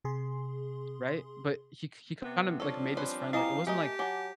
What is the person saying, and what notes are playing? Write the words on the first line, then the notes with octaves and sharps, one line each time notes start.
Right, but he k he kind of, like, made this friend like, it wasn't like
C3 G#4 C6
C3 B3
F3 G3 C4 D4 A4 C#5
C#4 B4 C5
E4 G4 D#5 F5 G#5 A#5
A3 G4 A#4 D#5 G#5
F#3 F#5 G#5 A5 D6